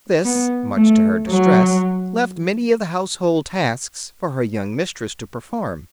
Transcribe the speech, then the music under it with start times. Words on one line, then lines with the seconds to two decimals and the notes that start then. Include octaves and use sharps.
This, much to her distress, left many of the household tasks for her young mistress to perform.
0.25 B3
0.77 A3
1.28 F#3